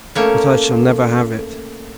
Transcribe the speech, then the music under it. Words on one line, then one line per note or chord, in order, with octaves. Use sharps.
"But I shall never have it."
A3 A#3 C#4